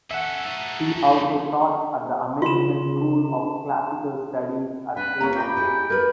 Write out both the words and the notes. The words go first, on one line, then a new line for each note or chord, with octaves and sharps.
He also taught at the American School of Classical Studies at Athens.
C#4 A4 E5 F#5
A3 D#4
C#3 F4 C6 E7
D4 B4
A#3 C#4 F4 A#5
G4 D#5 G5 B5
E4 F#4 G#4
A3 A#4 B4